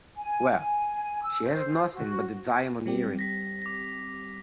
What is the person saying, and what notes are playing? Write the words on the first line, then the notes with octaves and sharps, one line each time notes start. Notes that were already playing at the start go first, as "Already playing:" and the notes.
Well, she has nothing but the diamond earrings.
G#5
G#5
E6
C5
F#4
G3 C4 G4
A#6 B6
D6 A#6